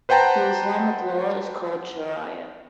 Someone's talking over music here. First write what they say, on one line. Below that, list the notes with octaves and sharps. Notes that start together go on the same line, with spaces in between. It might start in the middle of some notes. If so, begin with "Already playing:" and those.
The Islamic law is called shariah.
B4 C5 F#5 G5 A5 A#5